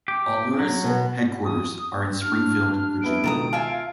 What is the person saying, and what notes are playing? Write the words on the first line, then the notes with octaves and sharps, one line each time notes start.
Alhurra's headquarters are in Springfield, Virginia.
G4
F#3
B2 B3
D#6
D4 F6
G3 B3 E4 D7
C#2 B2 D#3 A4 A#5 D#6
F4 E5 F5 G#5 A5 F6